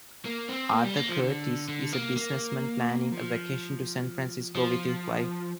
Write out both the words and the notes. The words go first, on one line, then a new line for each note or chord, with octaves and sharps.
Arthur Curtis is a businessman planning a vacation to San Francisco with his wife.
A#3
C4
A#3
G3
A#3
F3
D3
D3
A#3
A#3
F3
F3